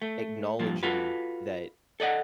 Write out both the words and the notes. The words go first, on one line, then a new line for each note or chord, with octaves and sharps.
acknowledging that
A3
G2 A#2 F3
F4 F#4 A4 B4
A4 D5 D#5 F#5